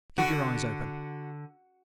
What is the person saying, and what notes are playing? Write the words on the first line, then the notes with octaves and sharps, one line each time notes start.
Keep your eyes open.
D3 F#4